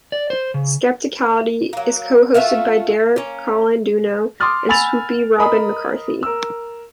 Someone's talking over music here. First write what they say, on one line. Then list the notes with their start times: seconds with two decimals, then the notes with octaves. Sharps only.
"Skepticality" is co-hosted by Derek Colanduno and "Swoopy" Robynn McCarthy.
0.12 D5
0.30 C5
0.54 C#3
1.73 F#3 A#3
2.34 A3 F4 F#4 E5
3.16 A#3 C#4
4.40 C6 D6 D#6 F6 A6
4.69 F#5 G#5 B5 E6 A6 F7
5.38 A#4 D#5 B5 D#6
6.23 A#4 E6